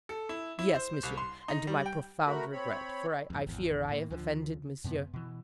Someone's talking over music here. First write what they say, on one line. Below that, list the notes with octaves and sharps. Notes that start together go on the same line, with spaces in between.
"Yes, monsieur, and to my profound regret; for I fear I have offended monsieur."
A4
E4
E4
C5
C2
C6
D#4
G3
G5
A3 F#4 A#4 B5
C4 C#5 B5
F2 G#2
G#1 E2
A2 A#3
D2 D3 F3
F#2 C3 A#3 B3
B2 E3